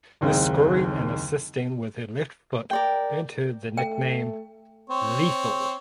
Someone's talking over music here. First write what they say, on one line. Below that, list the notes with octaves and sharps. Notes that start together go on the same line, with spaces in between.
Her scoring and assisting with her left foot earned her the nickname "Lethal".
F#1 D#2 G#3 C4 D#4
A#4 D5 G5
A3 G5
C4 C#5